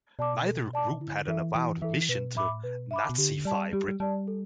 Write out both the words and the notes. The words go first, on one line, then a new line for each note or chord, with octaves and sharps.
Neither group had an avowed mission to Nazify Britain.
B2 D5 A5 D6
A4
D5 A5 D6
D3 E4
E3 A4 E5
E3 E4
E3 A4 E5
B2 B4
A2 E5 B5 D6
B2 B4
E5 B5 D6
B2
D3 G4
G3 D5 A5
G3 G4
G3
G3 D5 A5
A4